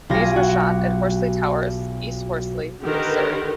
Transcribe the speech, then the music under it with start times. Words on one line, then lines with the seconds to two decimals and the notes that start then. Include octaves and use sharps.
These were shot at Horsley Towers, East Horsley in Surrey.
0.09 B1 F4 G4 G#5 A#6
0.34 F#4 G4
2.82 D3 D#3 G4 A#4 B4